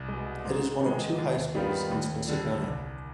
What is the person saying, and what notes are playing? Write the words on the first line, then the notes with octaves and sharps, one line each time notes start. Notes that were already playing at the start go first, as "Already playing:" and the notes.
It is one of two high schools in Spencer County.
Already playing: C2
B2 G#3
G#2
D#3 G#3
D#2
D#3 G3 B3 F4
D#2
D3 G3
C2